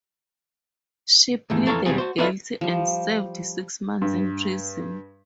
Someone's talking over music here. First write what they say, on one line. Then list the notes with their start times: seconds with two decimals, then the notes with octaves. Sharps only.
She pleaded guilty and served six months in prison.
1.50 D#2 G#2 E3 A3
1.66 F2 E3 A4 C#5 F5 A#5
1.86 D#2 B2 F#3 G3 C4 G#4
1.98 F#4 C5
2.18 D4 E4 F4 A4 B4 D#5
2.61 F3 G3
4.02 G2